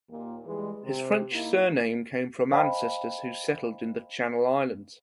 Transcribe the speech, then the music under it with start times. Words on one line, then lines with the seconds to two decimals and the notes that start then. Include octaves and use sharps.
His French surname came from ancestors who settled in the Channel Islands.
0.10 D#2 A#2
0.45 E3 G3 G#3
0.84 C3
1.32 A#3 D#4 E4
2.51 C5 D#5 F5 G5 A5 B5